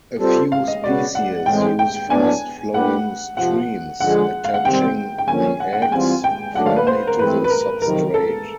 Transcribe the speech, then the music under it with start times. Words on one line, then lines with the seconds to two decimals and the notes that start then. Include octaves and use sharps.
A few species use fast-flowing streams, attaching the eggs firmly to the substrate.
0.19 G3 C4 F4 A4 C5
0.52 F5
0.68 D#5
0.83 B2 G#3 C#4 F#4 B4 D5
1.15 F#5
1.46 A2 E3 G#3 C4 G5
1.79 G5
2.10 A2 F#3 B3 D4 G#5
2.74 G3 A#3 D4 G4 B4 F#5
3.37 F2 C3 F3 F#5
4.00 D3 F3 G#3 F#5
4.44 F5
4.54 F#5
4.65 C3 D#3 G3 C4 G5
5.18 G5
5.28 D3 F3 A#3 C#4 G#5
5.60 F#5
5.73 F#5
5.82 G5
5.92 E3 G3 C4 F4 G#5
6.24 G5
6.55 D#3 F#3 A3 D4 F#5
6.66 F5
6.76 B4
6.87 C5
7.07 A#4
7.18 G#2 E3 A3 C4 B4
7.44 B4
7.50 A#4
7.82 F2 C3 D#3 F#3 A#4
8.14 A4